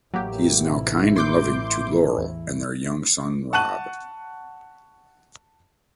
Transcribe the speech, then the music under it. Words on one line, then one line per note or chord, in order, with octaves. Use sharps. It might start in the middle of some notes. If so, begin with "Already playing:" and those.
He is now kind and loving to Laurel and their young son, Rob.
A1 F#3 A#3 E4 G4
C3
C6 D6 G6
E2
F#5 A5 C#6 F#6 D#7 F#7